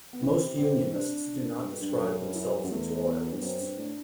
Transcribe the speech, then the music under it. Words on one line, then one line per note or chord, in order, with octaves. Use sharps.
Most unionists do not describe themselves as loyalists.
B3
E3 C4
C3
D3 C4
E3
C3 D4
G2
G2
F#2
F#4
E4
G3
F#2
E2 A3
B3
G2
F#2 C4
G2
A2 D4